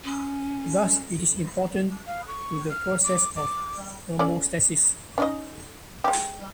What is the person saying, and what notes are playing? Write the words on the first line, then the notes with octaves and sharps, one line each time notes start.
Thus, it is important to the process of hemostasis.
C#4
F5
C#6
F6
D6
D6
C#4 A4 D5
C#4 D#4 D#5
G#3 G4